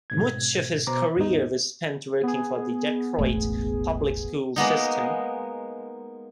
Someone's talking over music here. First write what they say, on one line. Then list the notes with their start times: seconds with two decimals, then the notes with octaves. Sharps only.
Much of his career was spent working for the Detroit public schools system.
0.10 G#2 B2 G#6
0.87 B2 C5 A#5 D6
1.16 D#2 G#2 B3 D#4
2.23 B3 G#4
3.19 E1 A1 A3
4.56 G#3 A#3 B3 D#4